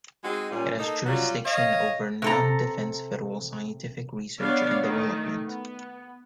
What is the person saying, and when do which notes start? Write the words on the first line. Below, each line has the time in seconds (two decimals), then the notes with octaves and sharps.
It has jurisdiction over non-defense federal scientific research and development.
0.24 G#3 C4 D#4 F#4
0.51 A#2 G3 C#4 F4
0.80 A#3 D#4 A4
1.06 F#3 G3 F4 F#4
1.46 C#5 D#5 F5
2.22 C3 A4 A#5
4.40 B3 D4 C#5 D5 F5
4.83 D#3 A3 D#4
5.44 B3